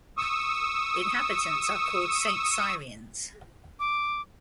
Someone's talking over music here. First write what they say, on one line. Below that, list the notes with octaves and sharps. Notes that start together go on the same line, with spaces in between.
Inhabitants are called "Saint-Cyriens".
C#6 D#6 E6
D6